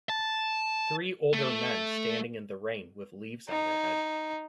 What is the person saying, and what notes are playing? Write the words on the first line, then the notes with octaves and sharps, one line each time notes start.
Three older men standing in the rain with leaves on their head.
A5
A3
D#4